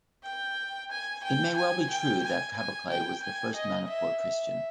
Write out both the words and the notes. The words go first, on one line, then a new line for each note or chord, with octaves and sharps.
It may well be true that Kaboklei was the first Manipur Christian.
G5
G#5
G5
G#5
G5
G#5
G#5
G5
G#5
D#5
E5
E5